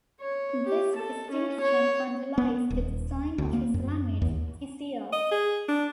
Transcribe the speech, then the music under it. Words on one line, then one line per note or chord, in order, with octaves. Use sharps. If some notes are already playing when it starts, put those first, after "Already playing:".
This distinction underlies the design of his language Tcl.
C#5
G4
A4
C#4
C#5
B3
D#1
D2
A#3
F#2
D#2
D#5
G#4
D4